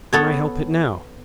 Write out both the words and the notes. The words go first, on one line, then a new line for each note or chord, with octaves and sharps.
"Can I help it now?"
B3 A4 C#5